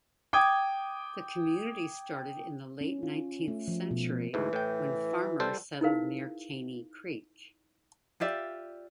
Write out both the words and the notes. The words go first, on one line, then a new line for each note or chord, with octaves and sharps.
The community started in the late nineteenth century when farmers settled near Caney Creek.
G5 D6 D#6 G#6
C#4
F4
A3
F3
B2
D2 G#2 E3
A2 G5
G3 A4 C5
D#4 E4 G#4 A#4 B4 F5
F4 G4 D5 E5